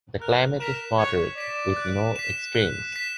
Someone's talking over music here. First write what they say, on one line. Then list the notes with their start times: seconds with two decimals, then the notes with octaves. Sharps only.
The climate is moderate with no extremes.
0.21 A#4 F#6
0.60 A#4 B6 E7
0.98 C#5 F#6
1.37 D5 B6 E7
1.76 F#6
2.16 B6 E7
2.55 F#6
2.93 B6 E7